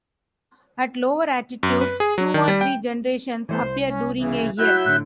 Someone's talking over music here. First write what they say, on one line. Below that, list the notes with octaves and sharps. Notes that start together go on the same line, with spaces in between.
At lower altitudes, two or three generations appear during a year.
F#2
B4
G#4
F#3
D#3
G3
G5
E3 A3 B3 C5
C2
C#4
C#3 E3
F#3 E4 F#4 E5 F#6 G6
A2 D3 F#6